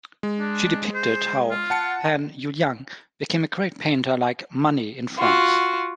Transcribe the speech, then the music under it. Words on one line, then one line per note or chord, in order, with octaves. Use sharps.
She depicted how Pan Yuliang became a great painter like Manet in France.
G#3
D4
C5
F4
F#5 A5 C#7
F4 F#4